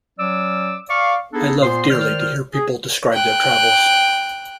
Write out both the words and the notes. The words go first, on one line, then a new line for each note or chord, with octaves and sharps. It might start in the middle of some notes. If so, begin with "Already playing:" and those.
I love dearly to hear people describe their travels.
F#3 C#4 D5 D6 E6
D5 F5 C#6
B3 D4 D#4 G#4 A4
A#2 B3 C5 C6
D#3 C5 D5 F6
G#4
G5 F#6